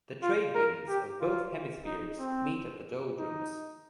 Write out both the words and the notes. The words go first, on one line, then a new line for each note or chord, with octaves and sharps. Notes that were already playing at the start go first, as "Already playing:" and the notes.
The trade winds of both hemispheres meet at the doldrums.
F4
A#4
G4
F4
D#4
C4
D#4